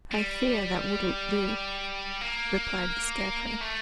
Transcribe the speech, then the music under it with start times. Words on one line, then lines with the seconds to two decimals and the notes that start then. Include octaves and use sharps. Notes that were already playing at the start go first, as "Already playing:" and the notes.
"I fear that wouldn't do," replied the Scarecrow.
0.12 G3
2.21 A#3
3.61 A3